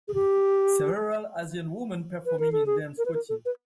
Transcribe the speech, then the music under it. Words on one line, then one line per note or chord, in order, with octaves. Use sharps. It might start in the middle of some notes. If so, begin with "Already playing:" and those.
Several Asian woman performing in dance routine.
G#4
G4
B4
A#4
A4
G#4
A#4
B4
A#4
A4
B4